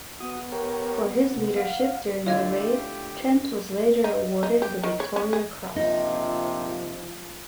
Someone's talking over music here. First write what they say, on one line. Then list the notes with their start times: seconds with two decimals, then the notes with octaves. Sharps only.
For his leadership during the raid, Trent was later awarded the Victoria Cross.
0.20 B3 F#4 D#6
0.52 G4 A#4 C#5
1.37 C3
1.56 F5 F#5
2.26 A2 D3 A3 F4 G4 C#5 D#5 G#6
4.04 D#4
4.43 D#4
4.62 G4
4.84 D#3
5.00 C#5
5.16 C#4
5.33 G#4
5.76 A#1 C3 F3 D#4